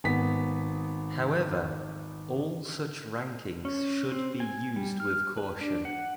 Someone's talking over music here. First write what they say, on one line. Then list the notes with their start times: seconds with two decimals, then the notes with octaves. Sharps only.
However, all such rankings should be used with caution.
0.04 G#1 B3 B6
3.65 C#4
4.12 C4
4.40 G#5
4.76 G3
5.00 F6
5.37 B4
5.61 D4
5.85 F#5